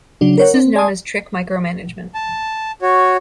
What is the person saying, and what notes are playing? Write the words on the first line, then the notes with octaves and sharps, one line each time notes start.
This is known as trick micromanagement.
C#3 F#3 D4
A#4 C#5 F#5
C4
D5 G#5 A5 C6 D#6
A5
F#4 C#5